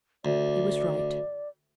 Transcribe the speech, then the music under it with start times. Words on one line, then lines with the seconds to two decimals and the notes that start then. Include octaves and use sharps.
He was right.
0.25 D2 D5